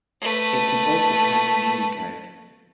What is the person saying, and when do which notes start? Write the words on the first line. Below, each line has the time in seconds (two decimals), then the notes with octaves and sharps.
It can also handle Unicode.
0.21 A3 B4